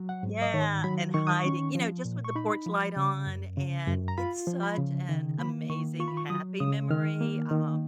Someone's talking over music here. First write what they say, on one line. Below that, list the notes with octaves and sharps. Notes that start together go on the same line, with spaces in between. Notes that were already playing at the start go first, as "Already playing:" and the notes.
yeah and hiding, you know, just with the porch light on, and it's such an amazing, happy memory, um,
Already playing: F#3
F#5
G#2
D#5
D#3 C#5
F#3 B5
D#3 C#6
D#6
C#6
C#4
F3
A#2
C#6
D#4 B5
F3
C#3
F#2
C#3
F#2
A#5
F4 B5
F3
B5
C#3
D#3
A#3 B5
D#3 C#6
F4 C#6
B5
C#6
F#3 D#6
C#3 D#6
D#3 F6
A#3
D#3